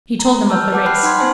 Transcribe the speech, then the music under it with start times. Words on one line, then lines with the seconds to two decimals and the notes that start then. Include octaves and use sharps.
He told them of the race.
0.20 A#5
0.49 A5 E6 F6 G6
0.72 B4 F#5 A5 D6 G6
0.86 G5 B5 F6 F#6 C7
1.03 D#4 F#5 B5 C6 G#6
1.19 B3 C#4 C5 G#5 A5